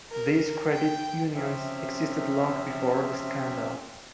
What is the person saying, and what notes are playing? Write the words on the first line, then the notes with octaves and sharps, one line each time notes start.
These credit unions existed long before the scandal.
A#4
G5
C3 F3 C4 C#4 E5